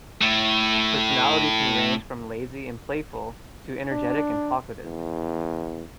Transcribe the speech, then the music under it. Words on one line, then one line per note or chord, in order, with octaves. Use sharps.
Personality can range from lazy and playful to energetic and talkative.
A2 A3
D4
E2